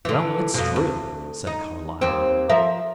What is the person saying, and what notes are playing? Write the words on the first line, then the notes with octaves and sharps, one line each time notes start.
"Well, it's true," said Carlyle.
D3 E3
F2 B2
D2
D#4
D#2 C4
F3 A#4 E5